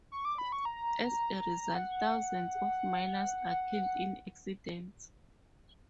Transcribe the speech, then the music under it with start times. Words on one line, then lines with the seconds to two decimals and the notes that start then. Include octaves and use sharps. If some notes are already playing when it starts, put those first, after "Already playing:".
As a result, thousands of miners are killed in accidents.
0.12 C#6
0.25 D6
0.38 B5
0.52 C#6
0.65 A#5
1.75 F#5